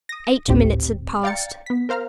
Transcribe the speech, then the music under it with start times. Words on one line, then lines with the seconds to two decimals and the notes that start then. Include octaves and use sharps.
Eight minutes had passed.
0.09 D#6 A#6
0.48 G#1 D2 A2 C4 G4
1.23 D5 F5 G5 A#5 A6 C#7
1.66 B3 B6
1.89 A#4 C5 F5 A#5 F6